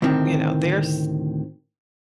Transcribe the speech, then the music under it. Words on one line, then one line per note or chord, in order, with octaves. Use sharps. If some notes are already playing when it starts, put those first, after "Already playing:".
you know, their s s
D2 A2 C3 D#3 C4